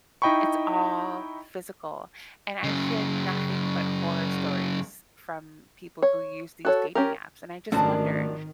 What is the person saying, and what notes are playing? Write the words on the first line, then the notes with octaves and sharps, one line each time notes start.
It's all physical. And I hear nothing but horror stories from people who use these dating apps, and I just wonder,
D#4 E4 D#5 G5 B5 C#6
F#2 C#3
C#5
F#4 A4 C#5
C#4 G4 A#4
G#1 D#3 F3 F#3 A3 C#4 D4 A5